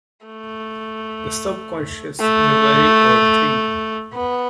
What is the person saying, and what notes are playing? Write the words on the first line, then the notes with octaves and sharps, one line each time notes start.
The subconscious is a very odd thing.
A3
A3
B3